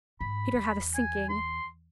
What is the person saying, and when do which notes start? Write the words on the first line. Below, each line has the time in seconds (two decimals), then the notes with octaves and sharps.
Peter had a sinking.
0.21 G#2 B5
0.54 E2
0.95 G#5
1.29 C6